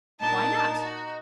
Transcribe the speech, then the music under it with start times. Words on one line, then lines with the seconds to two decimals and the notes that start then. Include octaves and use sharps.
"Why not?"
0.21 A#2 D4 D#4 A#4 A5
0.82 F#4